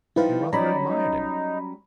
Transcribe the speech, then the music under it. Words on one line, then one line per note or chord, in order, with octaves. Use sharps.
They rather admired him.
F3 G3 D#4 E4 B4 F5
F#3 G3 C#4 D#4 D5 A#5 B5
D#4